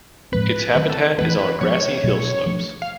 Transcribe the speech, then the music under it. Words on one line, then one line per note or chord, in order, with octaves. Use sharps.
Its habitat is on grassy hill slopes.
A2 F3 G#3 C4 B4
D#3 F#3 A3 C4 B4
A4
E3 A3 C4 B4
B4
F3 G#3 B3 C#5
B2 F#3 A3
F3 A3 D4
F5